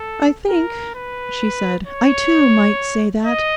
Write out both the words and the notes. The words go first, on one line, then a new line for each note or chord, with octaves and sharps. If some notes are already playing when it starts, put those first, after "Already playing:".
'I think,' she said, 'I too might say that.
Already playing: A4
A#4
B4
C#5
D#5